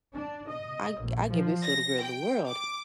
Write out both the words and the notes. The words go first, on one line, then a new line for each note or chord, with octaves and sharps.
I I give this little girl the world,
D4
D#5
A#1
F3
A#6
G5
D6